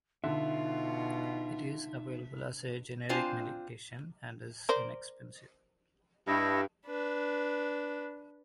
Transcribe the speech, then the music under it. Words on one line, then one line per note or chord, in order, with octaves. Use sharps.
It is available as a generic medication and is inexpensive.
B2 D3 D#4 F4 E5
C4 D4 F4 C5 G#5 A5
A#4 C5 D5
G2 E4 D#5
D4 B4